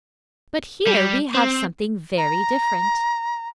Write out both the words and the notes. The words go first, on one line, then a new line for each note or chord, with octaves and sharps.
But here we have something very different.
G3
C4
A#5